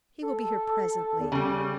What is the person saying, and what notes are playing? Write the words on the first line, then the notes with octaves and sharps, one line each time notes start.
He will be here presently.
A4
E2
C#3 G3 G4